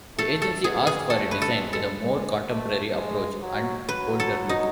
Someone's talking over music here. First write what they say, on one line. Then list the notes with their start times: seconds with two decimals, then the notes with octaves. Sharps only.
The agency asked for a design with a more "contemporary approach" and "bolder look".
0.17 A3 A4
0.42 A4
0.64 B3 G#4
0.87 G#4
1.10 A3 A4
1.31 B4
1.42 A4
1.57 G#3
1.73 A4
2.03 G#3
2.49 A3
2.96 G#3
3.42 F#3
3.88 F#3 B4
4.20 A4
4.49 D#4